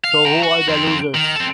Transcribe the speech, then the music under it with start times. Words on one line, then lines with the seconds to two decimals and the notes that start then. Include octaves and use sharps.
So who are the losers?
0.04 F5
0.25 G5 A#5
0.42 F#4
0.69 F2 C4
1.14 D#3
1.36 C4 A4